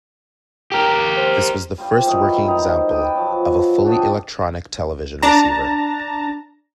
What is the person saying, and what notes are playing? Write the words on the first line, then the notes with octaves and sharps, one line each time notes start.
This was the first working example of a fully electronic television receiver.
G4 A#4
C5
G3 F4 C5
G#2 D#3 E3 F#3
D#3 D#4 C5 A#5
B4 D5 D#5 G5
F3 F#3 A5
D4 F#4 G4 D#5
D4 A5 A#5